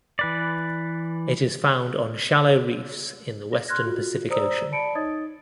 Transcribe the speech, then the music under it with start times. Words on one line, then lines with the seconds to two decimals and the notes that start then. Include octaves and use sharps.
It is found on shallow reefs in the western Pacific Ocean.
0.19 E3 B4 D5
3.52 A#6
3.68 C6 F6 F#6 G#6 A#6
3.84 F4 F#4 A4
4.30 C5 D5 A#5 D#6 E6
4.72 D5 A5 B5 C#7 D7
4.95 D#4 C#5 D#5 D#6 G#6 A6